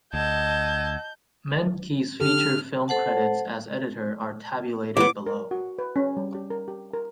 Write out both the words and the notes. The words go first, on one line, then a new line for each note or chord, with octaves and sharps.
Menke's feature film credits as editor are tabulated below.
D2 D#5 F#5 A5 E6 G6 G#6
D3 G4 A4 F6
A4 C5 F#5 A5
E3 B3 D6
A#4
F#4
B4
C#4
G3
G4
A#4
G4
A#4